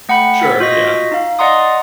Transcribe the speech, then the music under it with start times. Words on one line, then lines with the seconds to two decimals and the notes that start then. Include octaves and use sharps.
Sure, yeah.
0.09 A3 F#5 G5 B5 C#7
0.43 B6
0.60 F4 F#4 D#5 A#6 B6
1.12 D#4 F5
1.39 D5 D#5 F#5 A#5 C6 D#6